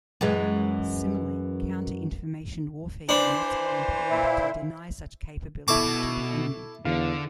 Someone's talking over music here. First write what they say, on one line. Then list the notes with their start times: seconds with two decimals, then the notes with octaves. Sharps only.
Similarly, counter-information warfare units are employed to deny such capability to the enemy.
0.21 F#2 E3 G#3
3.09 E3 D4 C5
4.10 A#2 E4
5.68 B2 E4 A4 A5 C#6 D6
6.85 E2 D3 F5